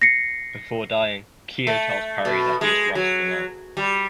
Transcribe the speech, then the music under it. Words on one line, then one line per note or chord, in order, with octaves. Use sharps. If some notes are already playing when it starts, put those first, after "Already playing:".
Before dying, Keough tells Perry that he has ratted him out.
A#6 C7 C#7
A3
B2
G#3
F#3
G3